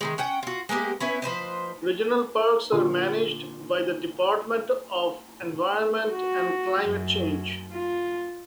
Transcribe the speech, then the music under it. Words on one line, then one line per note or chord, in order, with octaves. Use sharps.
Regional Parks are managed by the Department of Environment and Climate Change.
D#3 E3 G#3
C#4 F#5 G5
F4 F#4
G#3 A#3 B3 G4
B3 C#4 E4 B4
F3 B4 C5 D#5
A#2 D3 C6
F#4
F#2
F4